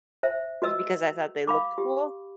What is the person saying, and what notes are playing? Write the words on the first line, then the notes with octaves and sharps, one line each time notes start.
just because I thought they looked cool.
C5 E5
F#4 B4 D#5 E6
F5 B5 D6
G4